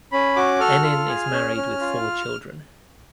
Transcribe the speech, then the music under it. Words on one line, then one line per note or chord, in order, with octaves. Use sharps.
Ennin is married with four children.
C#4 B5
F#4 D6
A4 F6
F4
G#4
C#4
C#4
F4